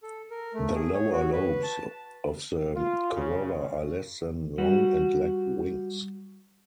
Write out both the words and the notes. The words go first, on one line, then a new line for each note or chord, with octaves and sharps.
The lower lobes of the corolla are less than long and lack wings.
A4
A#4
A3
G#4
C#5
F#4
B4
A5
F4
C#3
G3 F#4